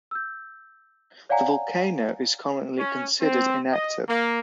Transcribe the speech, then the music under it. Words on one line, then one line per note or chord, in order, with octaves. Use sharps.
The volcano is currently considered inactive.
E6 G6
C#5 D5 F5 F#5 G#5 A#5
C#4
C4
D#5
A#3